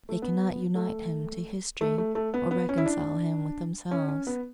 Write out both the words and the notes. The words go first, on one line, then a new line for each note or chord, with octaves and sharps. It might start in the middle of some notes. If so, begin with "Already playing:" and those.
They cannot unite him to history, or reconcile him with themselves.
A3
B3
A3
A3
A3
A3
B3
B3
C#4
E4
D4
C#4
C#4
B3